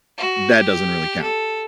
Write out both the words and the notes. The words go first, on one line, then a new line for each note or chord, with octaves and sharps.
that doesn't really count.
F#4
G4
A4